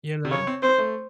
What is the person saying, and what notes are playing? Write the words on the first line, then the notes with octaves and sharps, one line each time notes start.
You know?
C3
C#3 C#5
C4
C4 C5
A3